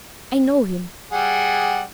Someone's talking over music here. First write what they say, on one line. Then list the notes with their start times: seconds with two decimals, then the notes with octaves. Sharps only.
"I know him."
1.12 G3 G#4 F#5